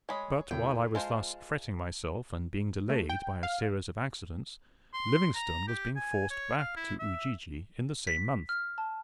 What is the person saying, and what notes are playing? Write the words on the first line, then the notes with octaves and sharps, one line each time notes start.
But while I was thus fretting myself, and being delayed by a series of accidents, Livingstone was being forced back to Ujiji in the same month.
G#3 C#5 B5 D#6
E2 A2 C#3 G5
G#3 F4 C5 A5
A3
G5
F5
C6
A#5
G4
G#5
C#5
F5
E4
E5
B6
F6
A5